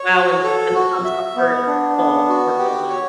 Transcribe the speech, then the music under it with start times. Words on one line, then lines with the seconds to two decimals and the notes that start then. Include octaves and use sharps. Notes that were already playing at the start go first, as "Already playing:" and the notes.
well and someone comes over and it's full, "We're full now."
Already playing: C#5
0.13 F#4
0.43 A4
0.75 F#4
1.05 E5
1.36 B3
1.67 D4
1.97 B3
2.29 F#4
2.59 G4
2.90 C#5